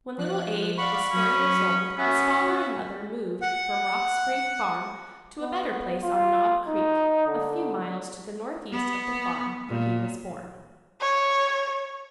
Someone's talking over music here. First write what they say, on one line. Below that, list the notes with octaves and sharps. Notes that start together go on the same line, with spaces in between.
When little Abe was four years old his father and mother moved from Rock Spring Farm to a better place on Knob Creek, a few miles to the northeast of the farm where he was born.
F3 F#6
D5 F5 F#5 B5 C#6
F#3 C#4 D#6
B3 C#4 F#4 E5 F#5
F#5
B3
F4
D#4
D3
B3
A#2
C#5